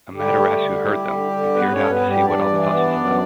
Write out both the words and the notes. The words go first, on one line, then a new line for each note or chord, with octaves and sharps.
Amaterasu heard them, and peered out to see what all the fuss was about.
D3 G3 G4
A3
D3
E4
D3
D3
G2 B3 B4
C#4 C#5
G2 A4
B3 B4
G2
G3 G4
G2 D4 D5
E3
B3
F#2